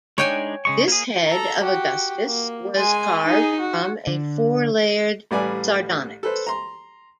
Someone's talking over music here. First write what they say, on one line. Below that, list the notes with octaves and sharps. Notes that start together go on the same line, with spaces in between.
This head of Augustus was carved from a four-layered sardonyx.
G#3 D4 D#4 C#5 G5 G#5
C#3 G#3 C#6
A#3 G#4
A4 A#5
F#4 G4
A#3
G#3 G#5
D#4 G#4
F#4
D3
A1 G3 B4 D5 G#5
A4 B4 C5
A#5 C6